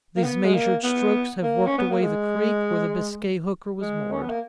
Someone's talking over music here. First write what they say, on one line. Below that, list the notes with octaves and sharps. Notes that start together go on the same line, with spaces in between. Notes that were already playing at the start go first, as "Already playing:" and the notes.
These measured strokes have worked away the creek where the Biscay hooker was moored.
A#3
B3
G#3
A#3
B3
A#3
C#4
B3
A#3
G#3
G#3
C#4
B3
A#3